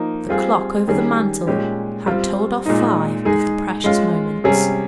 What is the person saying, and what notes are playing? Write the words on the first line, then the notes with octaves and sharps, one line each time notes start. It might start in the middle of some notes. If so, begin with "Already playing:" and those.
The clock over the mantel had told off five of the precious moments.
Already playing: F3 A#3 D#4
G3 C4 F4 G#4
D#3 G3 C#4 G#4
A#2 G#3 C#4 G4
G3 C4 F4
A#2 G#3 D#4
G#3 D#4 G#4
G#3 C#4 F4
C3 G3 C#4 G#4